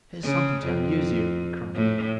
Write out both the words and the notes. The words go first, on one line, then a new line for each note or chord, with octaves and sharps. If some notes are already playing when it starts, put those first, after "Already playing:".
"Here's something to amuse you!" he cried.
C#3
F2
A2